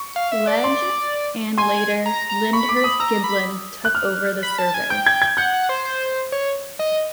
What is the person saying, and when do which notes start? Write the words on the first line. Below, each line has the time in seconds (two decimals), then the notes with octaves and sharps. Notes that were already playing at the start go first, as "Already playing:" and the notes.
Legge and, later, Lyndhurst Giblin took over the survey.
Already playing: C#6
0.16 F5
0.32 E5
0.47 D5
0.64 C6
1.58 G#5 C6
2.06 A#5
2.29 A#5
2.53 B5 C#6
2.69 D6
2.76 B5
2.84 D#6
3.00 A#5 E6
3.24 B5
3.85 F#6
3.95 F6
4.43 B5
4.58 A5
4.74 G#5
4.90 G5 G6
5.06 G#6
5.22 G#6
5.37 F#5 G6
5.54 F#5
5.69 C5
5.85 C5
6.32 C#5
6.79 D#5